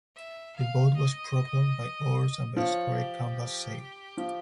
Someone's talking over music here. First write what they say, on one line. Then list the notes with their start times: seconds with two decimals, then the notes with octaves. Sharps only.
The boat was propelled by oars and by a square canvas sail.
0.16 E5
0.56 F5
0.96 D#5
2.57 F3 C#5
2.97 G4
4.17 F3